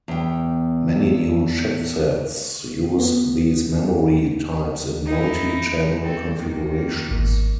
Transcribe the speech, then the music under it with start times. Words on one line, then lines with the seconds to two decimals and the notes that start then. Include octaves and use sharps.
Many new chipsets use these memory types in multi-channel configurations.
0.08 E2 G5
2.99 B3
5.05 D#4 E4
6.02 C4 A4
6.35 D#3 A#3
7.11 G#1